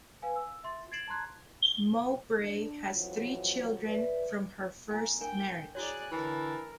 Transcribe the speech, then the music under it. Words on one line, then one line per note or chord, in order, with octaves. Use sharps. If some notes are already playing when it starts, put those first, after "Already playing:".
Mowbray has three children from her first marriage.
B4 F5 G#5
E6
E5 C6 A6
G#6 A6 C7 D7 E7 F#7
A5 A#5 C6 F#6 G#6
D4
F2 E3 F#3
B4 D5 E5
A#3 E4 G#5
D4 A#4 G5 G#5
E4 F#4 G#4 C#5 D5 G#5 F#6
D3 E3 A#4 A5